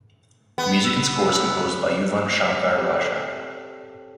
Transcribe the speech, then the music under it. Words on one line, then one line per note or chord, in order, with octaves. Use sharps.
The music and score is composed by Yuvan Shankar Raja.
B3
E6
C4 G4 A4 C#5